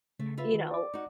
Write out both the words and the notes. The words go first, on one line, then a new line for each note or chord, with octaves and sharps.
you know,
C#3 A3
F4 B4 E5
D#3
D5 D6
D#4 F#4